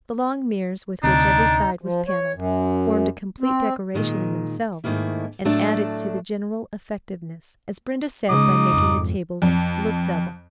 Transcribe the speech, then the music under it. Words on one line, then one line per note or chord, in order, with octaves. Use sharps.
The long mirrors with which every side was paneled formed a complete decoration in themselves, and added to the general effectiveness, as Brenda said by making the tables "look double."
D2 C3 D4 D#4 D#6
F3
C#5
F#2
C4
A#2 D#3 G#3
G#2 D#3 A3 A#3 E4
A2 F#3 A3 D4
C#3 G#3 D#4 D6 D#6
G#1 F2
F2